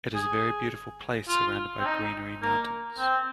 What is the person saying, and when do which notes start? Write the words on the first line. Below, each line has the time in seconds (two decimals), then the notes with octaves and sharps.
It is a very beautiful place surrounded by greenery mountains.
0.15 G#4
1.28 F4
1.80 C4
1.85 D#4
2.42 A#3
2.99 C4